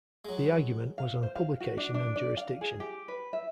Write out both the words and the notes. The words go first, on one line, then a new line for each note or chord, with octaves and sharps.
The argument was on publication and jurisdiction.
F#3 G#3
F5
C5
F5
F#4
D4
D4
D5
F5
G#4
G4
B4
E5